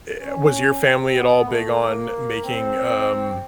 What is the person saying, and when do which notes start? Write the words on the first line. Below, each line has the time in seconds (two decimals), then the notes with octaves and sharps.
eh, was your family at all big on making, um,
0.21 C#4
0.84 C4
1.16 B3
1.48 A3
1.80 A#3
2.44 C4